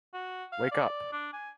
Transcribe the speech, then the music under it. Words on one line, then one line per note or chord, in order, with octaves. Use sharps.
Wake up!
F#4
F5
D5
D4
G#5